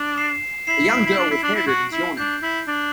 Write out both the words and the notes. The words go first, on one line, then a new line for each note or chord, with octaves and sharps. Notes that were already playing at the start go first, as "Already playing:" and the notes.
A young girl with hair ribbons yawning.
Already playing: D4
C7 E7
E4 C7 E7
B6 D7
E4
D4 D7 F#7
E4
D4
E4
F#4
E4
D4 G6
E4
D4